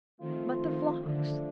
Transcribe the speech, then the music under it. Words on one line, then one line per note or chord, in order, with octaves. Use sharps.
"But the flocks!"
D#3 F3 A3 C4 F4
D#3
D3 F3 A3 D4